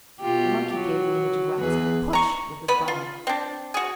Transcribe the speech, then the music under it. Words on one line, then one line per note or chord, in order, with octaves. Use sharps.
The monkey gave the image of wax a push with his body.
B2 F4 G4
F#3
E2 G#4 B4
A#5 C#6
B3 B4 B5
F4
C4 D4
F#4 G#4